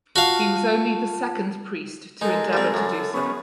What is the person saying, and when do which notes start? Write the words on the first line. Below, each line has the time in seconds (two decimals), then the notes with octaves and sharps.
He was only the second priest to endeavor to do so.
0.16 F4 F#4 F5 A5
2.21 G#3 D#4 A4 A#4
2.53 G3 C4
2.74 F#2
3.14 B3 C#4 G#4